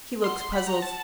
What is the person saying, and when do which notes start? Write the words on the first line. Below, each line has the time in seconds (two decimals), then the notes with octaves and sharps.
He looks puzzled.
0.24 F#5 C6
0.53 F#5 B5
0.67 A#5
0.82 A5